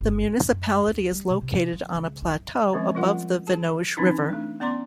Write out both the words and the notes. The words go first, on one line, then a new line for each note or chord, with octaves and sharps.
The municipality is located on a plateau above the Venoge river.
G1
C#4
F#2
D#2
G3
C3
C3
F3
C#2
E4
F#2
D#3 F3 G#3 C4 C#4
F3 G3 F4 A#4 F#5
G#4 A5
E3 C4 C#4 D#4 E4
A3 D4
B3 C#4 D5 A#5 C6 D6